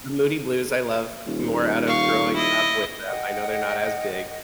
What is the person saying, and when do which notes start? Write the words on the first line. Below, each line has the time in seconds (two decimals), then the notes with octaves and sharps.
Moody Blues, I love, more out of growing up with them. I know they're not as big,
1.27 D#1
1.87 F5 C#6
2.34 E4 D#5
3.06 D#5 F#5 G5